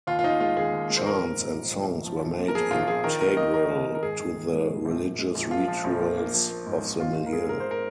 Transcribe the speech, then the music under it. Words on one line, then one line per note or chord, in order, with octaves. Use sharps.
Chants and songs were made integral to the religious rituals of the milieu.
D#2 F4
F4
D#2 D#4
G#3 F4
D#2 G#4
D#2
G#3
C5
A#1 A#4
A#1
G#2
A#1
A#1
A#1
F3
A#1
A#2
A#4
F3 G#4
A#1 F4
F3 G#4
D#3 A#4
A#3 A#4
A#3 D#5
A#3 A#4
D#2
D#2
A#4
G#2 G#4
D#3
D#3
G#3
A#1
A#1
A#1
G#3
A#1
F3 F4
F3
A#1
A#3
A#3
F3
A#3
G#2
G#1
G#2 F4
G#3 F4
A#4
G#3 G#4
G#2 A#4
C5
A#4